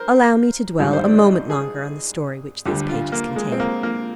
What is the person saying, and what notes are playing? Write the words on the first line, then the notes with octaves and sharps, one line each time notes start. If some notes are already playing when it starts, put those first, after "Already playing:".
Allow me to dwell a moment longer on the story which these pages contain.
Already playing: A#4 C5
G#1 G2 D#3 G3
C5
D5
D5
D#5
G#4
D2 D3 G3 G4
F4
A#3
G#3
C4
A#3
A#3